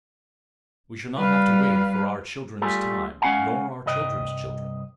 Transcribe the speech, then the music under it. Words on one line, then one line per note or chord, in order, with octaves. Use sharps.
We shall not have to wait for our children's time nor our children's children.
G3 B4 F5
G3 A3 F4 G4 G#4
G#3 C#4 D4 F5 F#5 G#5
C2 G2 D#5 G5